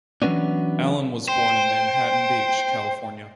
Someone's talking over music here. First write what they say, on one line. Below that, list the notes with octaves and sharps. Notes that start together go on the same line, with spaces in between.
Allen was born in Manhattan Beach, California.
E3 F#3 G#3 B3 C#4 D4
C5 G5